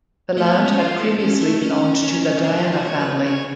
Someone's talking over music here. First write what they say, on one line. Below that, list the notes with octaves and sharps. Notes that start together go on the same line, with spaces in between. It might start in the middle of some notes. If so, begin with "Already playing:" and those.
The land had previously belonged to the Diana family.
A3
B3
C#4
F4
A4
C#4
A3
C#4
C#4
C#4
D4
F4
F#4
C#5
B4
C#5